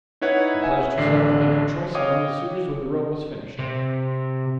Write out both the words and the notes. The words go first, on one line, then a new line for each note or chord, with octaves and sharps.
She pledged herself to make her choice among the suitors when the robe was finished.
D#4 E4 B4 C#5 F#5
E5 F#5 G#5
A1 D3 D4 C7
C#5 D#5 F5 G5 D6 D#6
C3